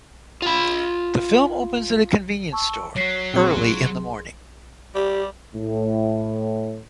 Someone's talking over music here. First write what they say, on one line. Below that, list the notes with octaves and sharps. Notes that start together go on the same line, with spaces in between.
The film opens at a convenience store early in the morning.
F4 B5
A5 C#6 E6
F#3 F#4 C#5 B6 C7
A#2 C4 G#4 F5 C6
G3 G4
A2